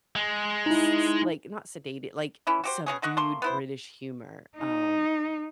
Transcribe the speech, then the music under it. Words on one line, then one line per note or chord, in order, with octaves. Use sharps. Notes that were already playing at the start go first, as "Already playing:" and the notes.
s s like, not sedated like, subdued British humor, um,
G#3
D#4 E4
E3 C#4 E4
F#4 G4 C5
B2 G#3 C#4 G#4
D3 D#5 F#5 C#6
A3 A#3 C6
B3 E4 C5
D#4